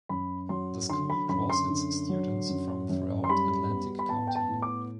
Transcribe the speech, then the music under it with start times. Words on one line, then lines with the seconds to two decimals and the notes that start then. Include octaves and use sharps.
The school draws its students from throughout Atlantic County.
0.09 F#2 B5
0.49 F#3 C6
0.89 D3 C6
1.10 B5
1.29 F#2 B5
1.50 C6
1.70 D3
2.09 F#3
2.49 F#2
2.89 F#2
3.24 C6
3.29 G3 B5
3.69 B3
3.99 B5
4.09 B3 A5
4.27 G5
4.35 A5
4.49 A2
4.62 D6